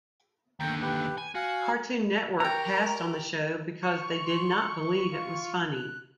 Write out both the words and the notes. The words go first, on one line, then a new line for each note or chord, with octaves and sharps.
Cartoon Network passed on the show because they did not believe it was funny.
D#2 D3 G5 A#5
G4 B4
G#5
F#4 F5 G#5
G4 A#4 C#5 G5 A#5
C#6
C6
B4
F4
F#6